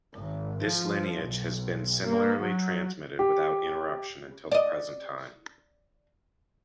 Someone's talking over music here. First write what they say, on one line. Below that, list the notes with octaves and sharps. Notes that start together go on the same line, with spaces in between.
This lineage has been similarly transmitted without interruption until the present time.
G#1
F3
B1
A#3
F#3
G4
D5 D#5